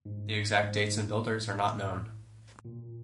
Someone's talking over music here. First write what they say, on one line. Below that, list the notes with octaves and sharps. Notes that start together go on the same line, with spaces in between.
The exact dates and builders are not known.
G#2
G#2
A2
A#2